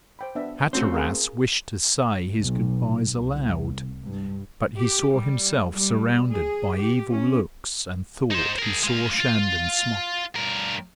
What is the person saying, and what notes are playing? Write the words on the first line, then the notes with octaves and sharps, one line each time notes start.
Hatteras wished to say his good-byes aloud, but he saw himself surrounded by evil looks and thought he saw Shandon smile ironically.
C5 G5 B5
B3 D4 E5
A3 C4 C#4 F4 F#4 C5
G#4 A#4 F5
B1
C2
G2
G4
G3
G3
G#4
G4
C#4
D#4 C5
G#4 A#4
G#3 F5
F4
G2 A#4